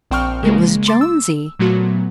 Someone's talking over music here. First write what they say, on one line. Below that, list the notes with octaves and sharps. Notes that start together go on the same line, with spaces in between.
It was Jonesy.
A#1 C4 G5 C#6 F6
C#3 G#3 A#3
C6 D6 A6
E6
A#2 F#3 A3 B3 F#4